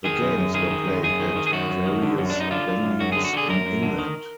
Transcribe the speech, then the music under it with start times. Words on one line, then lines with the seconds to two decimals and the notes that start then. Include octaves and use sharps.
The games were played at various venues in England.
0.05 D#3 G#4
0.21 F#2
0.38 F#2
0.54 D#3 G#4
0.70 D#3
0.87 F#2
1.03 F#2 G#4
1.20 D#3
1.36 D#3
1.47 G#4
1.52 F#2 F#4
1.69 F#2
1.86 D#3
2.02 D3
2.18 F#2
2.30 F#2 D4
2.40 D#4
2.51 D3 F4
2.67 D3
2.84 F#2
3.00 F#2 F#4
3.12 D3 G#4
3.25 F#4
3.33 D3 G#4
3.49 F#2 A#4
3.66 F#2
3.83 D3
3.99 D#3